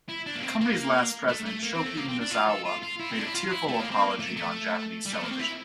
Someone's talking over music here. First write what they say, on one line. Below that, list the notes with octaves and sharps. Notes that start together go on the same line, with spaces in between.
The company's last president, Shohei Nozawa made a tearful public apology on Japanese television.
E4
D4
A#3
C4
A#3
A3
A3
A#3
C4
A3
A#3
C4
D4
F4
A4
F4
F4
E4
C4
D4
E4
F4
F4
E4
A3
A#3
C4
A#3
A3
A3
G3
A3
A#3
C4
E4